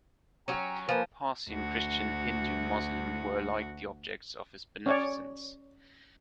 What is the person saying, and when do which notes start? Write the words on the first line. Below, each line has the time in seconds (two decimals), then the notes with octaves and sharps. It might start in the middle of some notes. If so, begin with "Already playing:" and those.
Parsi and Christian, Hindu and Muslim, were alike the objects of his beneficence.
0.48 F#3 C#4 G5 A#5
0.89 F3 A#3 B4 G#5
1.49 D2 F#4
4.86 C#4 C#5 D5